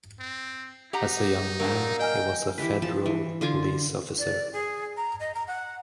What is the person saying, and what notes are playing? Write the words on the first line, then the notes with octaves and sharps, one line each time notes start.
As a young man he was a federal police officer.
C4
D#4 G4 F#5 A#5
F#3 A#3 D4
D#5 G5 G#5 F6
E3 E4 G4 B4
F3 A5
E3
D3 F4 G#5 D6
D5
G#4
A#5
D#5
A#5
F#5